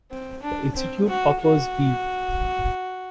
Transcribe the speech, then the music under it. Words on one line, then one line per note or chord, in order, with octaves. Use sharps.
The institute offers B.
C4
D4
C4
F#4
F#4